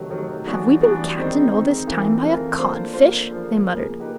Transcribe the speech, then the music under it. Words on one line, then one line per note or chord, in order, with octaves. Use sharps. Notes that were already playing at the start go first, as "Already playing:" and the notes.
"Have we been captained all this time by a codfish!" they muttered.
Already playing: C3 D#3 F#3 A3
C3 D#3 F#3 A3
E3 G3 B3 D4 F#4
E3 G3 B3 D4 F#4
D#3 G#3 C4 D#4
D#3 G#3 C4 D#4
E3 A3 C4 F4 A#4
E3 A3 C4 F4 A#4
A#3 D4 F4 A4 C5
A#3 D4 F4 A4 C5
C#3 F3 A#3
C#3 F3 A#3
A#3 D#4 G4 B4